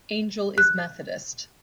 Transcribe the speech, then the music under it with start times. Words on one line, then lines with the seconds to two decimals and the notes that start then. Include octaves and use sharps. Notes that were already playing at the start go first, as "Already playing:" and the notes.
Angel is Methodist.
0.58 F#6